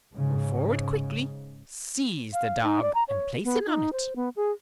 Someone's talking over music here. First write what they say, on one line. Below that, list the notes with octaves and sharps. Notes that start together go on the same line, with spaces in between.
Go forward quickly, seize the dog and place him on it.
G#2 C#3
F5
D#4
D5
A#5
C#5
B3
D#4
C5
B3
G#4